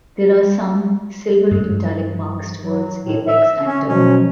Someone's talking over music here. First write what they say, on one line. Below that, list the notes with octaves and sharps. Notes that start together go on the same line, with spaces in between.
There are some silvery metallic marks towards apex and termen.
G2
F#3
A2
E5
C#4
B2 F3 F#3 G#3 C#4